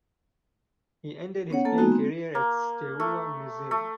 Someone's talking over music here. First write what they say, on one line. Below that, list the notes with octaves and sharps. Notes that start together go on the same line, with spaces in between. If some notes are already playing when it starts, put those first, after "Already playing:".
He ended his playing career at Steaua Mizil.
B3 C#4 C#5 F#5
A#3 A4 A5
G#3 A#3 B3 D#4 F#4
C4
A#3
A3
A3